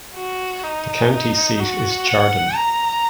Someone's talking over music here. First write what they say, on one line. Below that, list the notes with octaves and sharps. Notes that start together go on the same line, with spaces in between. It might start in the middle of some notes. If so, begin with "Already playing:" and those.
The county seat is Chardon.
F#4
D#4
F#4
F#5
A#5